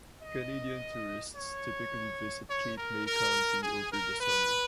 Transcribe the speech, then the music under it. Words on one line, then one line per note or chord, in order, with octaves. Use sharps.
Canadian tourists typically visit Cape May County over the summer.
D#5
C#5
C#5
A#4
A#4
G#4
A#4
B4